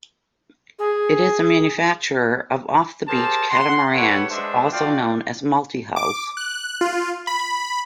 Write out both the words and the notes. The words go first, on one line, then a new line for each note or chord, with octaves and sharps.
It is a manufacturer of off-the-beach catamarans, also known as multihulls.
G#4
G4 G#4 A#4 C5 A5
F#5 C6
G4 A4 B4 C#5 F#5
G#3 D4 B4 C5 E5 A5
F4 F#4 D5 F5 G5
D6
F#6
F4
B5